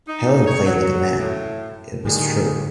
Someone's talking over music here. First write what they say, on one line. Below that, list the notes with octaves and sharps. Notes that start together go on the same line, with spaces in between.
Helen played like a man, it was true.
D#4
C#5
F#3
A2
A2 D3 D#3 G3 G#4